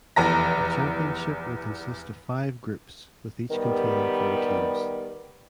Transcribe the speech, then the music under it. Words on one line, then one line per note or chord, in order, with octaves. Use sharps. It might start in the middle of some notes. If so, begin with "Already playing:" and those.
The championship will consist of five groups with each containing four teams.
F1 E2 A#5 A#6
D#3 G3 B3